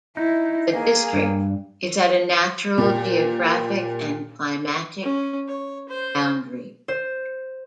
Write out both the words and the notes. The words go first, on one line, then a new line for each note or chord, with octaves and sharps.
The district is at a natural geographic and climatic boundary.
D#4 E4
A#3 G#4
G2
A#2 G4
C#4
C#5
C5
C5